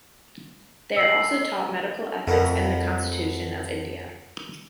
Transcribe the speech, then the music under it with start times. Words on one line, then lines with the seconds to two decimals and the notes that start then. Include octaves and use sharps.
They are also taught Medical Ethics and the Constitution of India.
0.97 D#5 E6 C7 F#7
2.27 F2 A3 B3 A#4